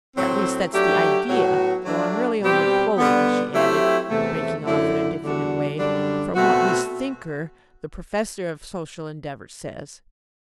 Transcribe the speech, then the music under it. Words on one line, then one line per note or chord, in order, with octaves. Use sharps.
At least that's the idea--though I'm really only quoting," she added, breaking off in a diffident way, "from what Miss Thinker, the professor of Social Endeavour, says.
A2 F#3 C4
F#3 A3 D4 G4
A2 F#3 B3 F#4
F#3 A3 D4
B2 G3 C4 G4
D3 G3 B3
F#3 A3 C4 E4 G4
E2 C3 E3 A3
F#2 D3 F#3 A3 E4
E2 D3 G3 D4 F#4
F#2 D3 G3 D4
B2 A3 C4 F#4